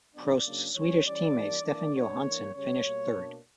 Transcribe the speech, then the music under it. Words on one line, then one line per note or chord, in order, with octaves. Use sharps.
Prost's Swedish team mate Stefan Johansson finished third.
C#3 F#3 B3 D4 D5
C#3 F#3 A#3 D4
E3 G3 C#4 C#5
E3 G3 C#4 D5
E3 G3 A#3 D4
E3 A#3 D4 D5
B2 F#3 B3 D4 C#5
E3 A#3 D4
C#3 G3 C#4 C#5
B2 G3 A#3
B2 A#3 D4